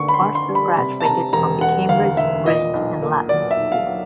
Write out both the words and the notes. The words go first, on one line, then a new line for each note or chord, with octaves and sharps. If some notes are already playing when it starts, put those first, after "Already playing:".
Orson graduated from the Cambridge Rindge and Latin School.
Already playing: D2 D3 A#3 C#6
B5
C6
D3
C6
G3
B5
C3 B5
A5
C3 A#5
E1 A#5
E1 F#5
D2 F5
E1 E5
A#2 D#5
B1
A#3
F#3 D5
E5
B1
F5
F#3